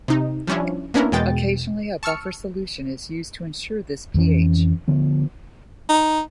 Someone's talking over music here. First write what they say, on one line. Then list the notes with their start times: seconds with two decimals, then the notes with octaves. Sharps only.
Occasionally, a buffer solution is used to ensure this pH.
0.08 C3 D#4
0.47 F3 G3 C#4 D4 E4
0.94 A#3 B3 C#4 D4 E4 A#4
1.12 E2 B2 G#3 G5 A6
2.03 A5 C#6 E6 F6 C#7
4.14 F2 E3 C#4
4.88 D3 F3 B3
5.89 D#4